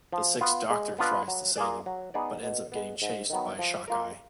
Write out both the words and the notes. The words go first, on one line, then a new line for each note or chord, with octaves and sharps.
The Sixth Doctor tries to save him, but ends up getting chased by Shockeye.
F3
B3 F4
G#3
B3 D4 F4 B4
F#3
A#3 F4 G#4 D5
F#3
B3 D#4 G#4 D5
B2
G#3 B3
G#2
D#3 F#3 B3
F3
A#3 F4 A#4